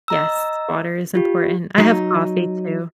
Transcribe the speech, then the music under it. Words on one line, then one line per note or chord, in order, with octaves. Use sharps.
Yes, water is important. I have coffee, too.
D#5 A#5 E6
F4 G4
F#3 D#4